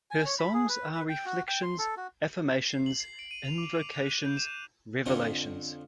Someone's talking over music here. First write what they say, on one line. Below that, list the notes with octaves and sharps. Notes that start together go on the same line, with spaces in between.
Her songs are reflections, affirmations, invocations, revelations.
G#5
C#5
B5
G#4
B4
B4
G5
F#4
G5
C6
A4
F#4
C7
F#7
C7
D7
D#7
F7
D6
C7
F#6
D#7
G6
E7
F2 D3 F3 C4 F4 C#5